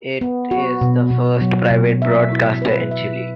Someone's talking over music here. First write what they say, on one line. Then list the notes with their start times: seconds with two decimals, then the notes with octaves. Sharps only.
It is the first private broadcaster in Chile.
0.21 B3
0.51 F#4
0.81 B2
1.10 B2
1.41 F#3
1.71 B2
2.02 E5
2.32 E4
2.62 B4
2.91 E5